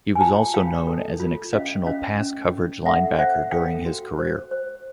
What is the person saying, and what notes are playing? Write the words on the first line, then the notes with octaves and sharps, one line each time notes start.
He was also known as an exceptional pass-coverage linebacker during his career.
G#5
F4 G5 A5
F4 F5 G5
A4
F4
C#4 D#5 F5
C#4 D#5 F5
C#4
C#4
A4 E5 F#5
C5 E5 F#5
A4 F5 G5
F#4
C5
C5